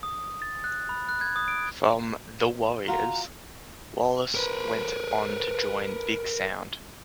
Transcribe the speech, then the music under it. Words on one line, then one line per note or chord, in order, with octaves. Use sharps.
From The Warriors, Wallace went on to join Big Sound.
D#6
A6
F#6
B5
F#6
G#6
D#6
D7
F4 F#4 A#5
A#4 B4